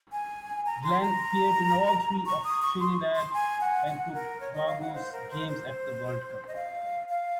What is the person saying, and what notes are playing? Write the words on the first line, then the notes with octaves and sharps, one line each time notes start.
Glen appeared in all three of Trinidad and Tobago's games at the World Cup.
G#5
A#5
C6
A#5
C#6
D#6
C#6
C6
C6
G#5
F#5
F#5
A#4
C#5
D#5
F5
F#5
C5
A#4
C5
C5
D#5
F5
F5